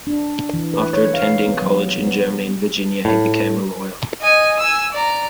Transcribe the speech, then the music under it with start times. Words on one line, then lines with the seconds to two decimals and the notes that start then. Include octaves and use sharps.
After attending college in Germany and Virginia, he became a lawyer.
0.07 D4
0.54 E3
0.74 B4
0.93 C#5
1.14 F5
1.47 B3
1.62 F#3
1.98 B3
3.05 A2
4.21 D#5 G#5
4.60 G#5 E6
4.92 D5 A#5